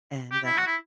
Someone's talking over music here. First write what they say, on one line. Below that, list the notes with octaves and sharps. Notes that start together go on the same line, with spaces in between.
and uh
G4
E4
F#4
E4